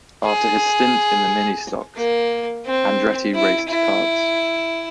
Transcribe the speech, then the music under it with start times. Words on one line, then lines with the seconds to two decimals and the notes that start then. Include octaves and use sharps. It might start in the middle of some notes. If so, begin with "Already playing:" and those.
After his stint in the Mini Stocks, Andretti raced karts.
0.25 G#4
1.96 A#3
2.66 C4
3.35 E4
3.69 E4